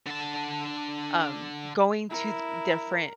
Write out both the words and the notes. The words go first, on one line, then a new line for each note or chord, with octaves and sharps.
um, going to th different
D3 A5
E4 A#4